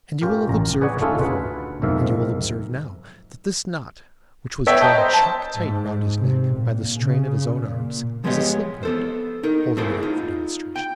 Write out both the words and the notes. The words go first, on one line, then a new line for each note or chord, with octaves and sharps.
'And you will have observed before, and you will observe now, that this knot, which was drawn chock-tight round his neck by the strain of his own arms, is a slip-knot': holding it up for demonstration.
C#4 F4 G4 A#4
A1 A#5
G#4 B4 C#5 D5 F#5 G#5
A3 C#4 D#4 F4 G#4 A4
D2 B4 F#5
B1 F2 G#2 D#3 E5 F5
B3 C#5 E5 G5 E6 B6
D#5 A5 A#5 G6
C5
A5
G#2
C3
A#2
C#3
A#2
F3 G#3 B3 G4 C#5 D#5
B3 A4 C5
D#4 A#4
A3 E4 F#4 G#4 C5 D5
D#4 F4
G5